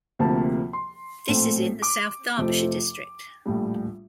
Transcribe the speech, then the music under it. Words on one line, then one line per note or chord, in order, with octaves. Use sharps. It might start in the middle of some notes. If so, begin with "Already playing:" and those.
This is in the South Derbyshire district.
D2 C3 F3 A#3 A5
C6
A#1 A2 A3 C4
D6
F2 C3 F3 A3 C4
A#1 A2 G3